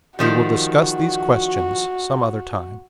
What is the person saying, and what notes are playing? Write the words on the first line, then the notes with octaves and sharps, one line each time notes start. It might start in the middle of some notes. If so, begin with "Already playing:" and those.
We will discuss these questions some other time.
D#3 F3 G3 F#4